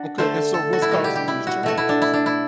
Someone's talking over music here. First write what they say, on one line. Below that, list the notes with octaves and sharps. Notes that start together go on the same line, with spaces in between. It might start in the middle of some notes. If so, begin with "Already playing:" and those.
Okay, and so what's causing these changes?
Already playing: D4 F#4
D3 A3 C5
A4
F#4
E4
B2 G3 F#4
G4
G4
E4
F#4
B2 A3 F#4
E4
D4
E4
D4
E4